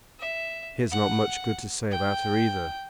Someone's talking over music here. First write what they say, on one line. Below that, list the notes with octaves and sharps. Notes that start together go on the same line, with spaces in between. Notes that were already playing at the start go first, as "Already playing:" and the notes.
"He has not much good to say about her either."
E5
F#5
G5